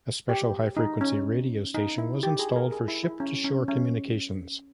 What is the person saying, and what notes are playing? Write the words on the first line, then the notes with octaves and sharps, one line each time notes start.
A special high frequency radio station was installed for ship-to-shore communications.
G4
D#4
C#4
D#4
E4
G4
G#4
A#4
G#4
E4
E4
C#4
C#4
C#4